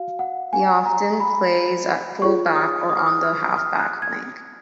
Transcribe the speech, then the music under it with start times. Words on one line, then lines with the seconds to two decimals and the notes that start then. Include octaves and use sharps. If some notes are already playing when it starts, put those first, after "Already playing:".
He often plays at full back or on the half back flank.
Already playing: F#4 F5
0.19 F#5
0.53 G#5
0.86 A#5
1.20 B5
2.22 F4 G#4 C#5 C#6
2.46 F6
2.55 D#6
2.89 D#6
2.98 F6
3.06 D#6
3.23 F6
3.51 D#6
3.58 F6
3.79 F#6
4.02 G#6